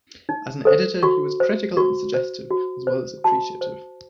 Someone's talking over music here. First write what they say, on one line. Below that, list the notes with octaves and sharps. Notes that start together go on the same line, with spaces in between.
As an editor he was critical and suggestive, as well as appreciative.
D#4
A4 C5
F#4 C#6
C5
F#4 C#6
C5
F#4
C5
F#4 A5
C5